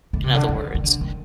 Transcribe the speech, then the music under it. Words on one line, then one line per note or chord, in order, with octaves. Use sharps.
in other words.
D3
C3
D3
D#3
D#3
D3
D#3